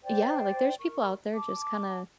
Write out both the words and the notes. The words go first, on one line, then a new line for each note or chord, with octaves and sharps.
Yeah, like, "There's people out there just kinda
C5 D5 G5
A#4 C#6
A5 D6